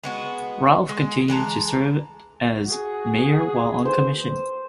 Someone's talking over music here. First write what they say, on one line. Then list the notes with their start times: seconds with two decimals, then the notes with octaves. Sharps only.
Ralph continued to served as mayor while on the commission.
0.04 G#3 B3 F#4
0.89 G#3
1.28 E3 G#3 A5 A#5
2.65 F#4 G#4
3.85 C5